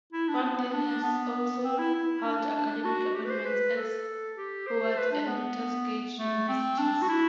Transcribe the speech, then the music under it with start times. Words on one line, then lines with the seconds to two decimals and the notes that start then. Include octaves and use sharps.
Franklin has also held academic appointments at Howard and Tuskegee universities.
0.13 E4
0.28 D4
0.43 B3
0.58 B3
0.73 D4
1.04 B3
1.64 C4
1.79 E4
1.94 E4
2.24 D4
2.55 D4
2.85 F#4
3.15 G4
3.25 B4
3.30 C5
3.45 B4
3.76 A4
4.37 G4
4.67 C5
4.98 B4
5.12 D4
5.27 B3
6.18 A3
6.49 C4
6.79 D4
7.02 F#4
7.09 E4